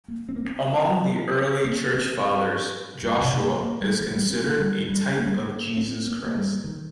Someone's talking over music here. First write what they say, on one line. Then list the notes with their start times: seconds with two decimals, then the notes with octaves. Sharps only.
Among the early Church Fathers, Joshua is considered a type of Jesus Christ.
0.08 A#3
0.29 C4
0.36 A#3
0.45 C4
1.65 A#3
1.94 C4
3.03 G2
3.21 C3
3.41 A#3
3.61 A#3
3.81 G3
4.01 F3
4.15 G3
4.29 C4
4.45 A#3
4.58 G3
4.89 G3
5.17 A#3
5.26 G3
5.33 A#3
5.77 C4
6.06 A#3
6.24 A#3
6.35 G3
6.64 D#3